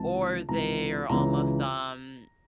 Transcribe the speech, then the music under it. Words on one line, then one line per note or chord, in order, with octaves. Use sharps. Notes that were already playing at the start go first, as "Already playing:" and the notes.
or they are almost, um
Already playing: C#2 C3 E3 A5
C#2 C3 E3 A#5
C#2 C#3 E3 A#5